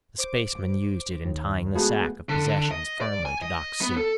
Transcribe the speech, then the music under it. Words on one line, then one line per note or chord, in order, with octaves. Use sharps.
The spaceman used it in tying the sack of possessions firmly to Doc's suit.
C5 D6
D#2
F3 G#3 A3 B3 F#4 G#4
D3
D#5
D5
G#5
D#5
B3
A4